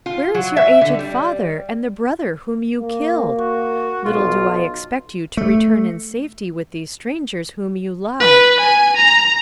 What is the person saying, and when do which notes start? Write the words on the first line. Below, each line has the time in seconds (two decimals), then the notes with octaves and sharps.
Where is your aged father, and the brother whom you killed? Little do I expect you to return in safety with these strangers whom you love.
0.06 F4
0.34 F#3
0.57 E5
0.81 D3
0.99 G3
2.80 A#3
3.38 F#4
4.05 B1 F4
5.37 A3
8.20 B4
8.60 G#5
8.97 A#5